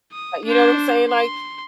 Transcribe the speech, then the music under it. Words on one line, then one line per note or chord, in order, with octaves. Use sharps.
you know what I'm saying, like,
D#6
D4 C5
C6